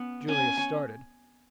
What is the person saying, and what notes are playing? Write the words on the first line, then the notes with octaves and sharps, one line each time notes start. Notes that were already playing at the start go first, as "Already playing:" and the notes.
Julius started.
Already playing: B3 C#4
C#4 G#5
C#4